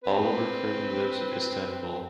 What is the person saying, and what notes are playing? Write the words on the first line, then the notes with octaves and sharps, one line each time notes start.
Oliver currently lives in Istanbul.
C4 B4